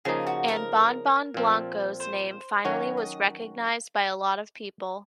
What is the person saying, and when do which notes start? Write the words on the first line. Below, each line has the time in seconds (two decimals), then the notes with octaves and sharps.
And Bon-Bon Blanco's name finally was recognized by a lot of people.
0.05 C#3 F3 A#3 D#4 G#4
0.27 F#4
0.48 A#4
1.34 A#2 F3 C4 F4
2.00 C5
2.65 D#3 F#3 C#4 F#4 C#5
2.97 D#5